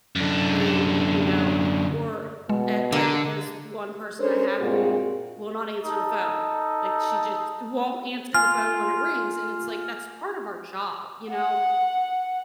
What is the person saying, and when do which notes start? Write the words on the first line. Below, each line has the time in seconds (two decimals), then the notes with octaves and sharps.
and, you know or at like, there's one person I have who will not answer the phone, like, she just won't answer the phone when it rings, and it's like, "That's part of our job, you know?"
0.16 F#2 D3
2.49 B2 G#3
2.92 D3 A#3
4.19 C#4 D4 A4 A#4 C5 C#5
4.60 G2 A#2 G#3 C4 F#4 G#4
5.84 D#4 A4
8.34 F4 G#5 F6
11.30 F#5